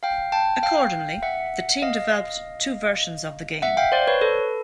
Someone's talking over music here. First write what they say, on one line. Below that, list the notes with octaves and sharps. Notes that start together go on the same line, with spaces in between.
Accordingly, the team developed two versions of the game.
F5 G5
G5 A5
F5 G5
E5 F#5
D#5 F5
E5 F#5
F5 G5
C5 D5
B4 C#5
A4 B4